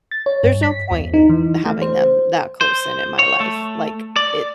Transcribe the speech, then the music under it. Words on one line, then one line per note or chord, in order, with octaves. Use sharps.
there's no point in having them that close and in my life. Like, it
A6
C#5
G2
B6
E2
D#4
E3
A3
C5
C5
C#5
A3
D5